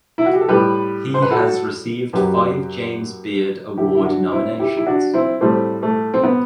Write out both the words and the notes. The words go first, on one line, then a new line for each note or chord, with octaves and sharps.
He has received five James Beard Award nominations.
E4
F#4
G4
A4
A2 G3 G4 B4
C5
B4
F#4 A4
F#2 F#3 G4 B4
F#2 D3 G3 E4 G4
E4
D4 F#4
C4 E4
E4 G4
E4
D4 F#4
C4 E4
A2 G3 A3 C4
A3
C4
B3